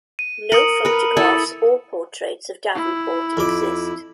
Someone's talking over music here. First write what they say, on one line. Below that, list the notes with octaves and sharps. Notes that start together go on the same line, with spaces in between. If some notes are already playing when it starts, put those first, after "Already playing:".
No photographs or portraits of Davenport exist.
D#7
A#4 D#6 C#7 F#7
A#4 B4
E4 A4 E5
E4
F2 D6